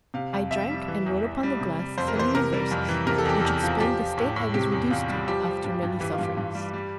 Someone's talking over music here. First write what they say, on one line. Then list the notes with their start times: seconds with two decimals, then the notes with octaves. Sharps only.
I drank, and wrote upon the glass some new verses, which explained the state I was reduced to, after many sufferings.
0.14 C3 F5
0.33 F2
0.51 F2 E5
0.70 G3
0.88 E3
1.06 E2
1.24 E2
1.43 G3
1.61 C3
1.79 G3
1.98 F2 C5
2.08 A#4
2.16 E3 C5
2.35 C3 A#4
2.53 G3
2.71 F2
2.89 E3
3.07 C3 A#4
3.18 A4
3.25 E2 G4
3.40 E2 A4
3.63 F3
3.80 F3 G4
3.99 F3
4.18 A2
4.36 A2
4.54 C3 G4
4.72 E2
4.90 E2 F4
5.09 G3
5.28 F3 G4
5.46 F3
5.64 G2
5.83 G2
6.00 E3 G4
6.12 F4
6.19 G2 G4
6.37 G2
6.55 G3
6.73 G3